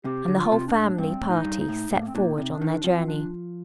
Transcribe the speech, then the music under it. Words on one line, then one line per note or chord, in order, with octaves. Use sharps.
And the whole family party set forward on their journey.
C3 G4
D3
F4
C3
D4
A2
G2 C4
A2
D#4
G2
D#4
A2
A2 D4
A#3
C4
A#2 D4
D#4
C3
D4
D#3
F3 C4
D4